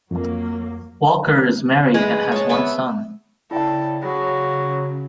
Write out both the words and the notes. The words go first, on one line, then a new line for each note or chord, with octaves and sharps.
Walker is married and has one son.
F2 F#3 A#3
G#3 B4
C#5 A5
B3 B4 E5
C#3 E4 A4 D5 G5
F#3 G#4 B5 A#6